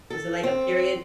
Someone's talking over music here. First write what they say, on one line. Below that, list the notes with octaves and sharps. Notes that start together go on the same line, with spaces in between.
Was it like a period
A4
C4